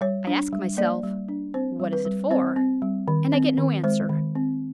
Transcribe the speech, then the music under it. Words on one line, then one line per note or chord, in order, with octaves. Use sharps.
I ask myself, What is it for? and I get no answer.
G3 C#5
D4
G3
A#3 D5
G3
D4
C4 C5
G3
B4
G3
C4 C5
C4
G3
D#3
C4
D#3
G#3 C5
D#3
C4